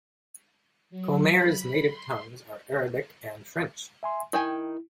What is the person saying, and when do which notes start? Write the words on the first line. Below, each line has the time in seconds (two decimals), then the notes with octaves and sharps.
Comair's native tongues are Arabic and French.
0.90 F#3
1.35 B5
1.83 C6
4.03 E5 G#5 C6
4.33 D#3 E4 G5 G#5